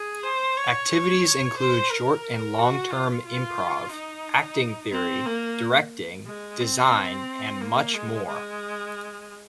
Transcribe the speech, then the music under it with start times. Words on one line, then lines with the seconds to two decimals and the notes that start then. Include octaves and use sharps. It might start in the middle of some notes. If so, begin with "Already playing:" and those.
Activities include short and long term improv, acting theory, directing, design, and much more.
Already playing: G#4
0.23 C5
0.57 C#5
0.91 C#5
1.58 C5
1.91 A#4
2.58 F#4
2.91 F4
3.26 F4
3.92 D#4
4.92 C4
5.26 A#3
6.26 G#3
6.60 C4
7.61 A#3
7.94 G#3
8.27 G#3